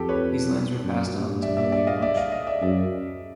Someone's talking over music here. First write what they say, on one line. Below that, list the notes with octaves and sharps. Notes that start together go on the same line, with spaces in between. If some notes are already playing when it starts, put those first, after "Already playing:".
These lands were passed on to William Marshal.
Already playing: F2 G4 A4
B4 C#5
F#2
G2
D5 E5
D5 E5
D5 E5
D#5 F5
D5 E5
D#5 F5
D#5 F5
D5 E5
F#2 D5 E5